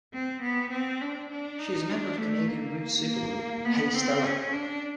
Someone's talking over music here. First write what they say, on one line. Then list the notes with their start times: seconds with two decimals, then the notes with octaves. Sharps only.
She is a member of Canadian roots super group Hey Stella!
0.14 C4
0.42 B3
0.71 C4
1.01 D4
1.31 D4
1.59 D#4
1.89 D4
2.18 A3
2.47 A#3
3.06 A#3
3.65 B3
3.94 C4
4.23 C#4
4.53 D4